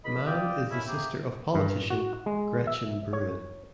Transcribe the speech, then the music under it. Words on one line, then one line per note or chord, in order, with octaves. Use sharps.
Mann is the sister of politician Gretchen Brewin.
C#2 D#5 B5
F4 G4 D5 D#5 G5
D#3 C#4 E4
C3 A#3 G#4 G5 D6
G2
F#4
G#3
E5
C#5